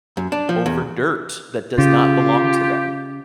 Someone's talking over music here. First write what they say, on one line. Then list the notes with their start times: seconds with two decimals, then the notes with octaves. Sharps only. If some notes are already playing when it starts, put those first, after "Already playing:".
over dirt that does not belong to them
0.17 F#2
0.32 D4
0.49 F3
0.66 E2
1.78 C#3 F4 G4